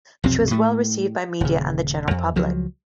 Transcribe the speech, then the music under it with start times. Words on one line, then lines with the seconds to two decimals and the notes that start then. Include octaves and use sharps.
She was well received by media and the general public.
0.24 B1 F2 C3 C4
0.51 A2 A3
1.41 D#1 C#3
2.11 F2
2.36 C#2 F3 F#3